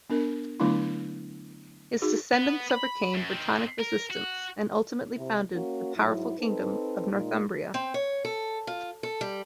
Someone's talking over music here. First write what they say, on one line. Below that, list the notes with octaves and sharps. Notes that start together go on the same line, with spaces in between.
His descendants overcame Brittonic resistance and ultimately founded the powerful kingdom of Northumbria.
B3 D4 A#4
D3 F#3 A3 B3 D4 E4
D#4 F#4 G#4
B3
B5
F#2
D#3 C4
A#4
F#4
C3 E4
A#3 C#4 F#4
G#2 F#3 E4
C4 D#4 A4 B4
A#2 G#3 D#4
C4
C#5
A4
F4
A4
G3